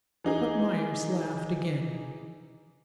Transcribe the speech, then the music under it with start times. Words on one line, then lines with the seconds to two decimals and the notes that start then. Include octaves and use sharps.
But Myerst laughed again.
0.24 E3 D#4 G#4